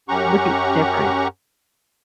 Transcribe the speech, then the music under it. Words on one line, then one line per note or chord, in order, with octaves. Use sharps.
look at y different.
F#2 C#4 G4 F#5 A#5 C#6